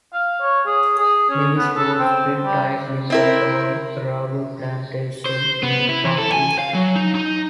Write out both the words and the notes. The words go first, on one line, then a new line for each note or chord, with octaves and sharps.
Lewis Woolf Grip-tight Limited owned a rubber plantation in the Far East.
F5
C#5
G#4
G#4
C#4
B3
A4
C4
G3
C4 E4 A#4
C5
B3
E4
E3
A4
G#5
F5
F#3
D#4
D#4